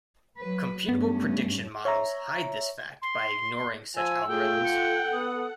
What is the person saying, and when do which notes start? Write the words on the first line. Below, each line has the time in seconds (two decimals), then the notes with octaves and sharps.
Computable prediction models hide this fact by ignoring such algorithms.
0.37 F#3 B4
0.89 G2 A3 B3 C#4
1.85 C#5 E5 A#5
3.02 C6
3.97 F3 G#5 E6
4.29 A3 F4 G#4 G5
4.65 A4 F#5 C#7
5.13 B3 D#6